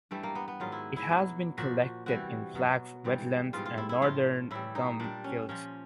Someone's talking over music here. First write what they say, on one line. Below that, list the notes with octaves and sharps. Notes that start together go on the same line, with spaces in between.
It has been collected in flax wetlands and northern gum fields.
G2 E3 G3 A3
A#3
B3
B3
G#2 D#3 F#3 F4
E4
E4
B2 F#3
A#2 F3 F#4
C3 E3 G3 F#4
B2 F#3
G#2 E3 G3
G#2 E3 G3 F4
F4
E4
E4
A2 F3 F4
A2 E3 G3 E4
D#4
A#2 G3 D4
C#4
A#2 F3 C#4